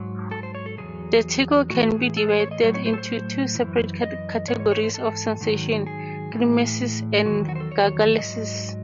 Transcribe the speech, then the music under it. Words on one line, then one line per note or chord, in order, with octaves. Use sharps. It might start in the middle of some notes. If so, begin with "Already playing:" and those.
The tickle can be divided into two separate categories of sensation, knismesis and gargalesis.
Already playing: G#2 F#3
A4
C5
C#5
A4
E2 C3 F#3 G#4
A2 E3 F#4
G#4
A4
C5
C#5
D#5
A2 F#3 C#5
C#5
C5
A4
C5
F#2 E3
D#5
G#2 E3 C#5
C#5
C#5
C5
A4
G#2 D#3 F#3
G#4
A2 E3
E2 D#3 F#3 F#4
F#4
C5
A4
C#5
G#2 D#3 F#3 D#5